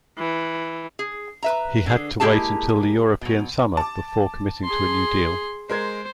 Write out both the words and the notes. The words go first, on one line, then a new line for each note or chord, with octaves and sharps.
He had to wait until the European summer before committing to a new deal.
E3
G#4
B4 E5 A#5
D3 G#4
G#3 A#3 E4 G4 G#4 A5
B2 F#3
A5 D6
G#4 C6
G#3 A#4 C5 G#6